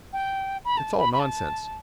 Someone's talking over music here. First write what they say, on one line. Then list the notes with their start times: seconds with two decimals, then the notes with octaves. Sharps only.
It's all nonsense...
0.13 G5
0.65 B5
0.77 A5
0.98 B5
1.13 B5
1.19 A5